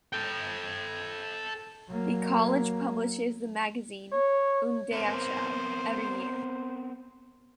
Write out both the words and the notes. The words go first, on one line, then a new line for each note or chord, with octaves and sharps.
The college publishes the magazine "Udayachal" every year.
A4 G5
F#3 A#3
C#5
B3 C4 A#4 C5